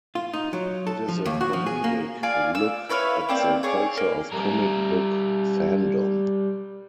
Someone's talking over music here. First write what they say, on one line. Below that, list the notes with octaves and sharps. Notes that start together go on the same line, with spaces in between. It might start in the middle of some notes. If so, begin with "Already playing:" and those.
It is a comedic look at the culture of comic book fandom.
F4
D#4
F#3
A4
F3
D#2
F#4
F3
G#4
A#3
F4 D5 F5 G#5
E6
E4 B4 C#5 F5
A#3 C4 D5
G#4 C#5 D5
A#3
G3 A#4